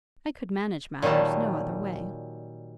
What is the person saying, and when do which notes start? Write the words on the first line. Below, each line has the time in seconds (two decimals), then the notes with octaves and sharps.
I could manage matters no other way.'
1.02 A#2 D#3 F#3 G3 A5